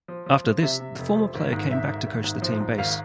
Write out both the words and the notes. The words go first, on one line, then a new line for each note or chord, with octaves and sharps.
After this, the former player came back to coach the team base.
F3
F3
F3
C3 E5
C3
F1
F3
G#1
G#2
G#1 E5
G#1
G#1
G#2
F3
G#2
G#1 F5